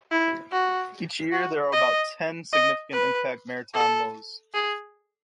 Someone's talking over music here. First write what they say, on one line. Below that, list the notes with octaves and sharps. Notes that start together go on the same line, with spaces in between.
Each year there are about ten "significant impact" maritime lows.
E4
F#4
F#4
D#5
D#5
B4
A4
G#4